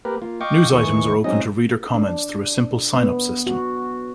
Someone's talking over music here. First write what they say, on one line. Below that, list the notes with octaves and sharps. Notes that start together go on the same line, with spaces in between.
News items are open to reader comments through a simple sign-up system.
A#3 G4 A#4 B4
A#3 F4
D#5 F5 G5 C#6 D6
D#2 E3 G#3 C#6
F#3 G#3 C4 C#4 D#4 D#5
D4
B3
F#4